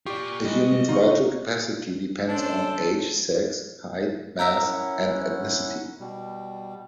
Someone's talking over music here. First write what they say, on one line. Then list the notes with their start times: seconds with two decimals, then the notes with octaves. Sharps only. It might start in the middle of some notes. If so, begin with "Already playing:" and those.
A human's vital capacity depends on age, sex, height, mass, and ethnicity.
0.06 F4 G4 D5 C#6
0.45 G3 G#3 D#5
0.89 D3 D#4 F4 C#6
2.28 C#4 D4 A4 C5
4.39 A#4 E5 A#5
4.62 C#4 E4 F#5
6.00 B2 G3